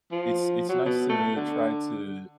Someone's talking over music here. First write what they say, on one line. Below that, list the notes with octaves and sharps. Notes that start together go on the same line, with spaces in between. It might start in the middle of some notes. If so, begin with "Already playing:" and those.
It's it's nice to try to
F3
F#3
B2
A3
D3